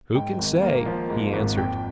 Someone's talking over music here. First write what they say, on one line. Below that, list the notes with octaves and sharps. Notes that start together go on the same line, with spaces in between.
"Who can say?" he answered.
G#2 G5
G#1
A#3
F3
G#2
G#1
F2 G5